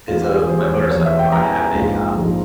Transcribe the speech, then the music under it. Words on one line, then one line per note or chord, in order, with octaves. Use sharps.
is of my motorcycle. I have a, um
E1 E2 E3 F4
G4
G#4
E1 E2 E3 C5
C#5
C5
E1 E2 E3 C#5
E5
G5
E1 E2 E3 A#5
G#5
A#5
A#1 G#2 F3 G#3
A#1 G#2 F3 G#3